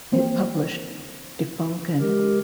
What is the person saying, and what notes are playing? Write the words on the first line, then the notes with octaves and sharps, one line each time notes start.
It published "De Fonken".
E3 A#3 C4
G#3 G4 A#4